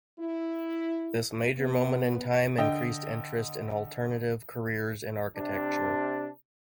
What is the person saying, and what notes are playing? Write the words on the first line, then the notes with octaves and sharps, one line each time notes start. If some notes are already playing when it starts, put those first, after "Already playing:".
This major moment in time increased interest in alternative careers in architecture.
E4
B3
D3 D#5 G5
C3 D4